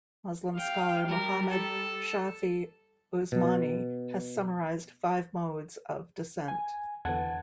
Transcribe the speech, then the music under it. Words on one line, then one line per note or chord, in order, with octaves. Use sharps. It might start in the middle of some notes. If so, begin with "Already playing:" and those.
Muslim scholar Muhammad Shafi Usmani has summarized five modes of descent.
F5 G5
G3 A#4
A4
B2
G#5
E2 D3 E3 F#5 A5 G#6